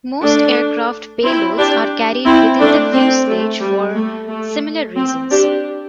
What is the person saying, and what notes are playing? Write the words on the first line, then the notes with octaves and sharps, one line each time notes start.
Most aircraft payloads are carried within the fuselage for similar reasons.
A3 D4
C4 E4
D4 G4
C4 E4
A3 D4
C4
A3
G3
A3
A3
C4
D4 G4